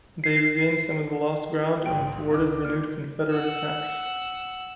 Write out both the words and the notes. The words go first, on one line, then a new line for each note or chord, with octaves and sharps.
They regained some of the lost ground and thwarted renewed Confederate attacks.
C7
A#1 G#2 G5
C#2 D6
A#2 F6
F#5 E6